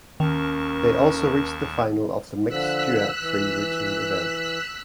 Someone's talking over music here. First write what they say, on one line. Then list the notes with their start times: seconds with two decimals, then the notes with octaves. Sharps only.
They also reached the final of the mixed duet free routine event.
0.20 D#2 D#3 C#4 A#4 A5 C#6
2.48 D3 F3 E6 F#6 B6
3.20 E3